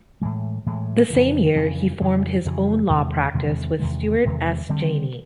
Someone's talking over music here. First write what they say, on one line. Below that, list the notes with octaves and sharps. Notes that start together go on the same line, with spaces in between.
The same year, he formed his own law practice with Stuart S. Janney.
A2 E3 G#3
A2 E3 G#3
F2 C#3 E3
F2 C#3 E3
F2 C#3 E3
F2 C#3 E3
E2 C3 D#3 G#3
E2 C3 D#3 G#3
E2 C3 D#3 G#3
E2 C3 D#3 G#3
D3 G3 C4